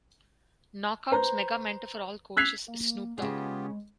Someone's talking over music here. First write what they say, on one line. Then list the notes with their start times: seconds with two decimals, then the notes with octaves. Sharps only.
Knockouts Mega Mentor for all coaches is Snoop Dogg.
1.12 B4 C5 A#5
2.37 E6 F#6 G#6 B6 C7 F7
2.68 A#3
3.18 C#3 G#3 B3 F4 G4 G#4